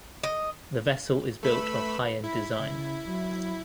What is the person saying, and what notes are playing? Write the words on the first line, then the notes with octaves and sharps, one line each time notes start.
The vessel is built of high-end design.
D#5
A3 B4 B5 E6
E4 B5
C#3
F#3